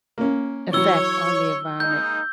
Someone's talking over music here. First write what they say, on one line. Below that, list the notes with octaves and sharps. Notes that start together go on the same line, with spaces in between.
effect on the environment,
A#3 C#4
E3 F#3 C#5 E6 G7
G#3 A#3 D#4 G6